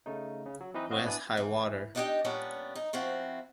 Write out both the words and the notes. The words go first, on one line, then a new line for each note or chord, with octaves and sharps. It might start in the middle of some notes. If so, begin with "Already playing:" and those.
When's high water?
C#3 A3 D#4
C#3
F#3
E3 C4 D#4 B4 D#5
C4 F#4 D#5 F5
B3 D4 E4 B4 D5 G#5
E3
B3 D4 D#4 G4 D#5 G5
A#2 G3 B3 C#4 D4
D#4
F3 C4 E4 F#4